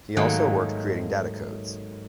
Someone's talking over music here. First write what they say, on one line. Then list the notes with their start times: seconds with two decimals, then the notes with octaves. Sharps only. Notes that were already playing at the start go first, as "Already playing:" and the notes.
He also worked creating data codes.
0.17 G#2 D#3 F#3 A3 A#3